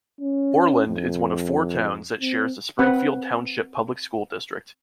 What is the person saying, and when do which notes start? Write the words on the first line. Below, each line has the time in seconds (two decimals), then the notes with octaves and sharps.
Oreland is one of four towns that shares the Springfield Township Public School District.
0.21 C#4
0.87 F2
2.22 C4
2.79 C4 B4 F#5